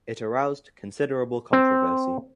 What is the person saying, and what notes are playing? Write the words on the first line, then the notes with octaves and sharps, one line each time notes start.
It aroused considerable controversy.
C4